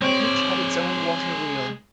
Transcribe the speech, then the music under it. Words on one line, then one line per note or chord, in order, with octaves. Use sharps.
Each had its own water wheel.
G#3 C4 C#5 D5 C6